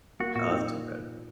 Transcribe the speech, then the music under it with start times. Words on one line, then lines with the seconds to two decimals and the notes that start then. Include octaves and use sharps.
Oh, that's too bad.
0.20 A#3 F#4
0.35 A#2 F#4
0.50 C4 D#4